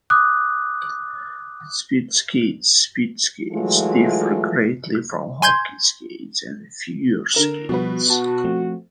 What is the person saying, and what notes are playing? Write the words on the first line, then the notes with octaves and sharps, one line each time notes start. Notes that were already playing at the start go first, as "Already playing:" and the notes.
Speed skates Speed skates differ greatly from hockey skates and figure skates.
D6 D#6 F#6
E3 F#3 G#3 A3 F4
G#5 C6 G6 G#6
D3 A#4 E7
B2 F3 G3 F#4 B4
F#4 A5
F3 A3 C4